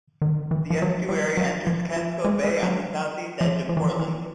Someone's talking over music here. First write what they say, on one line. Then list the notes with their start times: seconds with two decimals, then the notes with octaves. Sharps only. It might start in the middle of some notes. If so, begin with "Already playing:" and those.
The estuary enters Casco Bay on the southeast edge of Portland.
0.22 D#3
0.51 E3
0.70 F3
0.82 F#3
0.89 F3
1.09 G3
1.37 F#3
1.67 F3
1.96 F3
2.24 G#3
2.44 G#3
2.63 F#3
3.41 F3
3.69 F3
3.77 E3
3.84 F3
3.99 E3